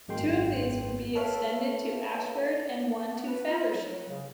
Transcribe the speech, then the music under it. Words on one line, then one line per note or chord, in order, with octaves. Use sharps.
Two of these would be extended to Ashford and one to Faversham.
G#1 F#2 G#3 A#3 G5 C6
A4 B4 C#5 E5 F5
B3
B4
F4
F#3
F#3
C#3